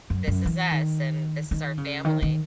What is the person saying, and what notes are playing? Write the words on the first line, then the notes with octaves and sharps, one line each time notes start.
this is us, and this is our family.
F#2
F#2
E3
D#3
D#3
C#3
D#3
D#3